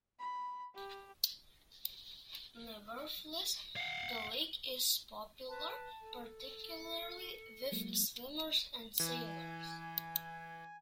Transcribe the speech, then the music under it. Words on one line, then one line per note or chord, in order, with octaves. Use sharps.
Nevertheless, the lake is popular particularly with swimmers and sailors.
B5
G4
F5 F#5
B4 A5
A4
C#7
F#3 G#3 A#3
E3 G#5